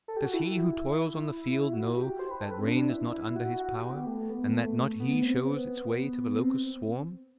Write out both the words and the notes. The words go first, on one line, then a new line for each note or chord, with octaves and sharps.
Does he who toils on the field know that rain is not under his power, and that not he shows its way to the locust swarm?
A4
G4
F#4
E4
F#4
G4
C5
B4
A4
B4
C4
D4
E4
E4
F#4
F#4
G4
B3
A3
B3
A3
B3
C4
B3
C4